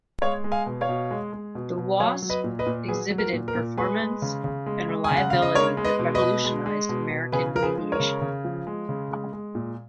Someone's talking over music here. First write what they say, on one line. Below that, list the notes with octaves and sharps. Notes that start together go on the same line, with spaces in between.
The Wasp exhibited performance and reliability that revolutionized American aviation.
G#3 C#5 F5
G#3
F5 G#5
B2
C#5 F5
B2
G#3
G#3
B2
B2
F#3 C#5 F5
F#3
B4 D#5
A#2
B4 D#5
A#2
F#3 G#4 B4
F#3
A#4
A#2
A#4
A#2
G#3 G#4 B4
G#3
C#3
C#3
G#3
G#3
G#5
C#3
F#5
C#3 F5
D#5
G#3 A#4 C#5
G#3
B4 D#5
B2
B4 D#5
B2
G#3
G#3
B2
B2
C#3 G#4 B4
F3 A#4
G#4 B4
G#3
A#4 C#5
C#3
C#3
F3
G#3
C#3
G#3
G#3
A#2